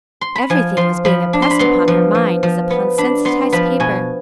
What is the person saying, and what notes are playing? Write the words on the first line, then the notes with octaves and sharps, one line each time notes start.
Everything was being impressed upon her mind as upon sensitized paper.
C6
B5
F3 G#5
F3 C6
F3 B5
D4
C6
B5
B3 C6
F3
F3
F3
B3
D4 B5
B3 C6
F3 B5
B2 G#5